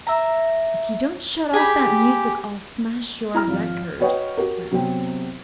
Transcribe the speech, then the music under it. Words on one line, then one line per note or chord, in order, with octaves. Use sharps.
"If you don't shut off that music I'll smash your record," threatened Ojo.
E5 A#5
G4 G#4 G#5 B5
E4 A#5 F6
G#1 F3
F#4 B4 C#5 D#5 F#5 G5
F#4 G4 A#4
C3 F#3 B3 C4